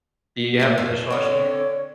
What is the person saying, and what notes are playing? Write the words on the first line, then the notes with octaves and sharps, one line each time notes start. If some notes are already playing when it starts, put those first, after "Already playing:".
Do you have a dishwasher?
A#2 A3 C5
F2 C#4 F5
D3 C4 C#5